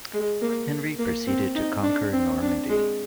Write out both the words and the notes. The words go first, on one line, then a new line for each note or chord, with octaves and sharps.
Henry proceeded to conquer Normandy.
G#3
A#3
A#3
C4
D#4
D4
C4
D4
G#3